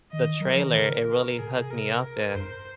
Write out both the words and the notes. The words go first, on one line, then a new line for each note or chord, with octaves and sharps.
the trailer, it really hooked me up, and
D#3 D#5
F#3 A#4
F3
D#3
C#3 A#4
A#4
C3 G#4
A#4
A#4
F#2 C5